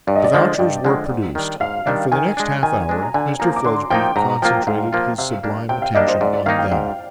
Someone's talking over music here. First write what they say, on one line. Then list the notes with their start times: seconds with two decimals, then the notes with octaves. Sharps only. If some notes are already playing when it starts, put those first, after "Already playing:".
The vouchers were produced, and for the next half-hour Mr Fledgeby concentrated his sublime attention on them.
0.07 G2 D5
0.16 D#5
0.24 D5
0.34 D3 F3 G#3
0.59 G2 G5
0.84 D3 F3 G#3
1.09 G#2
1.35 D#3 G3 D4
1.60 G#2 F5
1.86 D#3 G3 D4 F5
2.12 D#3 G#5
2.37 G#3 D4
2.63 D#3 G#5
2.89 G#3 D4
3.02 A#5
3.14 D3 G#5
3.40 F3 A#3 D#4 A#5
3.56 D6
3.65 D3 C6
3.90 F3 A#3 D#4 G5
4.16 G#2 A#5
4.42 F3 A#3 F4 G5
4.67 G#2 F5
4.93 F3 A#3 F4
5.18 C3 F5
5.43 G3 A#3 D4
5.69 C3 G5
5.82 F5
5.95 G3 A#3 D4 D#5
6.08 C5
6.21 G#2 D5
6.33 D5
6.46 D#3 A#3 D#4 F5
6.59 G5
6.72 G#2 F5